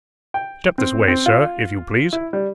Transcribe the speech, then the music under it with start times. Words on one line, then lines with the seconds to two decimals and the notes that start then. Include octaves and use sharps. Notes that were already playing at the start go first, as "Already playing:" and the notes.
Step this way, sir, if you please.'
0.34 G5
0.78 C4
1.08 C4
1.26 F4
2.13 E4
2.33 G3